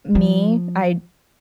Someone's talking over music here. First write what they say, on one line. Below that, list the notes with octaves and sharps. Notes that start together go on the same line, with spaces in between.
me, I'd
F3